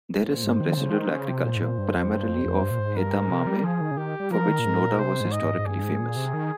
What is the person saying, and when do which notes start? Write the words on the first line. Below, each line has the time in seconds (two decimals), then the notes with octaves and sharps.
There is some residual agriculture, primarily of "edamame", for which Noda was historically famous.
0.19 G#2
0.26 A#2 C5
0.44 G#2
0.60 D#3
0.77 C#3
0.90 F3
0.94 D#3
1.11 C#3
1.28 C3
1.45 A#2
1.56 G#2
1.62 A#2 C5
1.78 G2
1.95 F2
2.12 G2
2.29 F2
2.46 F2
2.63 G2
2.71 A#2
2.79 G#2
2.96 G2 A#4
3.13 G#2
3.30 C3
3.47 G3
3.64 F3 G#4
3.81 D#3
3.91 C#3
3.97 D#3 G4
4.20 G3
4.31 F3 A#4
4.48 D#3
4.59 A#2
4.65 G#2
4.82 A#2
4.99 C3 C5
5.21 G#2
5.32 D#5
5.44 G#2
5.59 G#2
5.66 G2 G#4
5.83 G#2
6.00 A#2
6.16 C3
6.33 D#3